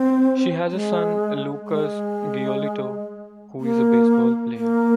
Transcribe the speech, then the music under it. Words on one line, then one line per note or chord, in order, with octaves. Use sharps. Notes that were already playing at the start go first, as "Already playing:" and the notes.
She has a son, Lucas Giolito, who is a baseball player.
Already playing: C4
G#3
G#3
A#3
A#3